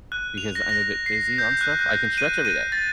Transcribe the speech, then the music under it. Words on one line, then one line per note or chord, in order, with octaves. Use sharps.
because I'm a bit busy and stuff. I can stretch every day,
F#6
F7
A#6
A#6
C7
G6
F#6
F#6
D#7
D#7
A6